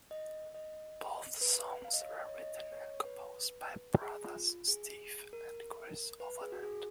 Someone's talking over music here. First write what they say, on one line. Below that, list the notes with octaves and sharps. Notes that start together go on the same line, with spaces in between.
Both songs were written and composed by brothers Steve and Chris Overland.
D#5
D#5
B4
F5
D#5
C#5
D#5
C#5
D#5
D#5
C#5
C#5
C#5
B4
G#4
F4
G#4
A#4
B4
G#4
F#4
G#4